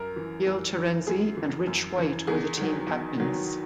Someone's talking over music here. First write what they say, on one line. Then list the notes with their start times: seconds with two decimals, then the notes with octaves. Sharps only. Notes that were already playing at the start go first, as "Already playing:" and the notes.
Gil Terenzi and Rich White were the team captains.
Already playing: F#2 A#4
0.16 E3
0.46 F#2
0.77 E3
1.07 F#2 G#4
1.37 E3
1.67 F#2
1.98 E3
2.27 E2 G#4
2.57 D#3 F#3
2.87 E2
3.18 D#3 F#3